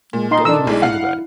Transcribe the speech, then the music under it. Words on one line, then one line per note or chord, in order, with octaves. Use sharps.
Don't even think about it!
A#2 G#3
D#4 D#5 C6
D4 A4 E6
B1 G#3 E4 D5
F5 F#5